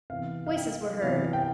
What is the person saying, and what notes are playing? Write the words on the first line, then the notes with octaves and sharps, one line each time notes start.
Voices were heard.
C3 E3 B3 F5
F5
G5
C3 E3 B3 F5
G5